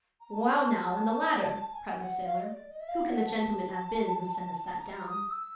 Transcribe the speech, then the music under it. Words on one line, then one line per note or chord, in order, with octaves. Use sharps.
"Well now, and the ladder," cried the sailor; "who can the gentleman have been who sent us that down?"
A#5
A5
G#5
A5
A5
G#5
F#5
F5
D#5
D5
D#5
E5
F5
F#5
A5
A#5
D#6
E6